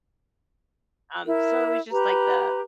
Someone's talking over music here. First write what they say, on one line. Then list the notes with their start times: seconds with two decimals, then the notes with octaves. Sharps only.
um, so it was just like the
1.25 E4 A#4
1.90 G4 B4 A#5